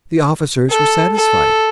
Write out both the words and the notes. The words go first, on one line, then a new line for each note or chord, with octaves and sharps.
The officers were satisfied.
A4
A4